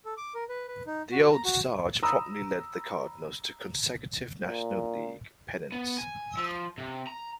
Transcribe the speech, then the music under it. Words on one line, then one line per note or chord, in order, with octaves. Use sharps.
The Old Sarge promptly led the Cardinals to consecutive National League pennants.
A4
D6
A#4
B4
B4
D#4
F#4
A#5
F#4
A#5 B5 D#6 E6
A#2
B3
G#5
F3
C3
A#5